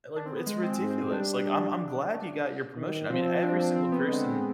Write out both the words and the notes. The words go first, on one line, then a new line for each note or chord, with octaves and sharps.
like r It's ridiculous, like, "I'm I'm glad you got your promotion." I mean, every single person
D4
C4
B3
G#3
C4
G#2 C4
C4
C4
G3 D4
D#3
F3 C4
C4
D4
C4
C4
B3
D3 G#3